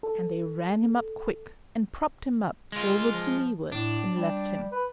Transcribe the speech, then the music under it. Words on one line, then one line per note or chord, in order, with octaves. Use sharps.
And they ran him up quick, and propped him up, over to leeward, and left him.
A4
G#3 F4
F3
A2 D4
G3
B4